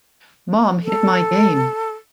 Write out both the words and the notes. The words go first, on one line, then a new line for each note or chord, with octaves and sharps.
Mom Hid My Game!
A4